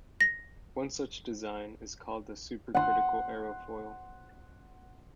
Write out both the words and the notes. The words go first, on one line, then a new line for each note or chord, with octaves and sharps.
One such design is called the supercritical aerofoil.
A#6
F#5 C6